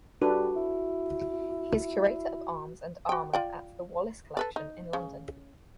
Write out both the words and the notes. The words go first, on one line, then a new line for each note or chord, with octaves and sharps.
He is Curator of Arms and Armour at the Wallace Collection in London.
G3 D4 F#4 A4 B4
E4
F#4 G5
F4 D5 G5
A4 B4 D5
D#4
C#3